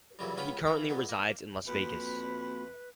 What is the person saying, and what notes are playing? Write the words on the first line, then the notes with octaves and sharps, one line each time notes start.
He currently resides in Las Vegas.
C2 F#2 A#2 C#3 E3 G3
C#2 B3 C#4 F4 B4 G5
E3 F5 G5
A#2 G#3 B3
A#3
F2 A#3 C4 F#4 B4 B5